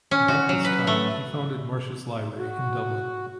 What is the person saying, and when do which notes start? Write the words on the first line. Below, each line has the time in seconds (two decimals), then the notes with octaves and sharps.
About this time he founded Marsh's Library in Dublin.
0.11 C#4
0.28 F#4
0.49 F#3
0.65 B4
0.87 A3
2.38 F#4